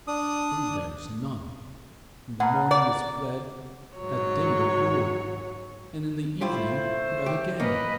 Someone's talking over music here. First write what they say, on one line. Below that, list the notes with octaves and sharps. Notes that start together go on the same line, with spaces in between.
Food there is none; in the morning it's bread, at dinner gruel, and in the evening bread again.
D4 D#6
B2 F#5 A#5
D5
G#2 F#3 C#5
A3 E4 F4 G4 C5
G4
A#3 C#4 B4 D#5